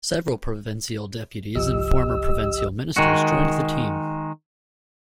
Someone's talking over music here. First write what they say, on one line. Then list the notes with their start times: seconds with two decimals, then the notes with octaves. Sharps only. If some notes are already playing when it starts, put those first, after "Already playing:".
Several provincial deputies and former provincial ministers joined the team.
1.55 G1 C2 F3 G4 D#5 E6
2.97 D#3 G#3 F#4